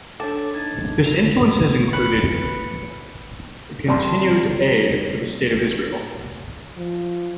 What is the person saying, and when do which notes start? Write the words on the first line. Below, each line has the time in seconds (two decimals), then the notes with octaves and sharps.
This influence has included continued aid for the state of Israel.
0.20 D4 A4 C#5 A5 D6
0.55 D#4 G#6 A6
1.04 G2 F4 F#4 A#4 F7
1.93 C#3 G#3 B4 C#7
3.88 G3 C4 D5 A5 B5 C6
6.77 F3